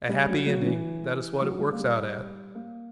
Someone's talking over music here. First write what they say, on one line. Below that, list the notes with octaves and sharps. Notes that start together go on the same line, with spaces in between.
A happy ending, that is what it works out at.
G3
F#3
F#3
D3
E3
F#3
G3
A#3
G3
A#3